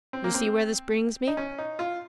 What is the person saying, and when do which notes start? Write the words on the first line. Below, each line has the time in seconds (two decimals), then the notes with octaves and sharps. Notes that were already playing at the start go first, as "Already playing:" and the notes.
You see where this brings me?
0.13 C4
0.24 A#3
0.34 C4
1.28 D#4
1.37 C#4
1.58 D#4
1.79 F4